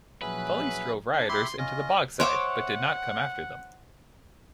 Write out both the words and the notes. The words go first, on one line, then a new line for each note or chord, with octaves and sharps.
Police drove rioters into the Bogside, but did not come after them.
A#2 F3 F#3 C#4 G#4 B4 E5
D4
E4 G4 B5 C6
C#4 F4 D#5
C5 C#5 E5 F#5 D6